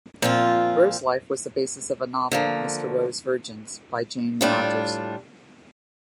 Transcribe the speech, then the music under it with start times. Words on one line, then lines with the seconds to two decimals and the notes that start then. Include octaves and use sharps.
Wroe's life was the basis of a novel, "Mr. Wroe's Virgins" by Jane Rogers.
0.22 A#2 F3 C4 F4
2.32 D3 F3 A#3
4.41 A2 G3 D4 F4